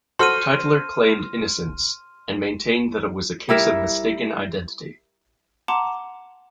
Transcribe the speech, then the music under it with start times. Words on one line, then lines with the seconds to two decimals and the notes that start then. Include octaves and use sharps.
Tytler claimed innocence, and maintained that it was a case of mistaken identity.
0.19 F#4 A4 C5 C6 F6 D#7
3.49 G3 E4 A#4 E5
5.68 F#5 A5 A#5 C6 D6